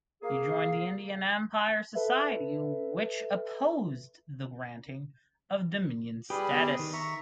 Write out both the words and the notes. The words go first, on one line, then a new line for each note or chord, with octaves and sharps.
He joined the Indian Empire Society which opposed the granting of Dominion status.
A#3 G#4 F5
A4 B4 E5
G3 G4 G#4 B4
B3 G4
D#3
E5 A#5 C#6